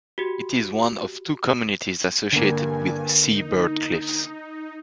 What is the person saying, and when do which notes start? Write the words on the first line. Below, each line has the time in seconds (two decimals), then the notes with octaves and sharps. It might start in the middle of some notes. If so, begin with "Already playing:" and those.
It is one of two communities associated with sea-bird cliffs.
0.18 F#4 G4
2.33 G2 D3 A#3 G#5
3.34 D#4